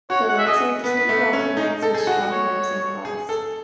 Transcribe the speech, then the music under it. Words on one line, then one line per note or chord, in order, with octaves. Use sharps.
The legs are distinct walking legs, with strong limbs and claws.
F#4 C#5
F#5
E5
G#4 D#5
B3 B4
A3
C#4
D#4
A4
G#4
F#4
C#5
G#4
A4